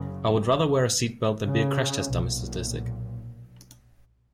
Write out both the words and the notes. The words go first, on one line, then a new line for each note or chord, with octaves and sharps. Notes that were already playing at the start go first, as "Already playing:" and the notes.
I would rather wear a seatbelt than be a crash test dummy statistic.
Already playing: F#1 F#2 C#3
C#3
B1 A#2